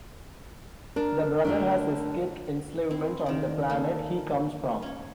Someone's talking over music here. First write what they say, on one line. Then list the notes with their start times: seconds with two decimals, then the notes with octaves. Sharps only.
The Brother has escaped enslavement on the planet he comes from.
0.96 D4 A#4
1.45 D3 A3 D4
2.90 C4 E4
3.26 D#3 D5
3.70 A#3 A4
4.82 C#4 C#5